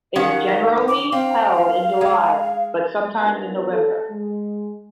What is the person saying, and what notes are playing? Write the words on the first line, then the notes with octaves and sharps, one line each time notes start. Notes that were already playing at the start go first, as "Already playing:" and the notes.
It is generally held in July but sometimes in November.
D#3 C#4 F5 F#5
D6
C4 F5
G#3
B3 D4 D#4 F4 G4 A#4
A4
G#3